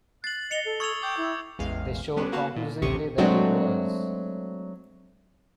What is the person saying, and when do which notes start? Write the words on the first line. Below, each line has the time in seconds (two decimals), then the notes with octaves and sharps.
They showed conclusively that it was.
0.24 F#6 A6 C7 F#7
0.51 D#5 C#7 F7 G7
0.65 A4
0.80 C#6 D#6 E6 G#6 F7
1.02 G5 D6 G6
1.17 E4
1.59 A1 E2 G#3 F5
2.17 G3 B3 C#4 D4
2.32 A#3 B3 F#4 F5 A5
2.56 A#2
2.82 A1 D2 C3 G4 C#6 D#6
3.18 F#3 G#3 A3 C4 D4 F#4